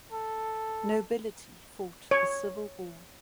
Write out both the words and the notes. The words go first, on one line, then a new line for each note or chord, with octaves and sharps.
Nobility fought a civil war.
A4
C#5